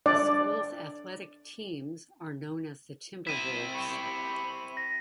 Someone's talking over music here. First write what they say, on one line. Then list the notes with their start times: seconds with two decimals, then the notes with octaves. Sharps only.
The school's athletic teams are known as the Timberwolves.
0.06 D4 D5
3.27 C4 E4 B6 D#7
3.75 G4 B5 C#6
4.77 A#6